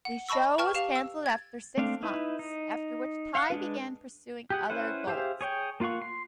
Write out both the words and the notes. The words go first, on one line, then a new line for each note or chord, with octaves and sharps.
The show was cancelled after six months, after which Ty began pursuing other goals.
F#5
D#5 A5 B5 C#6 E6
B4 G5 A5 C#6 F6
G4 F5 F7
E6
G#6 A6
A3 C4 D4 F5
D#4 E4 B4
D#4
F5 F#5 C6 F#6
G#3 D4 B4
G4 G#4 F#5
C#4 E4 B4 C5 F#5
G4 G#4 C5 E5 F5
G#4 C#5 G5
A#3 F4 F5 F#5 C#6
C6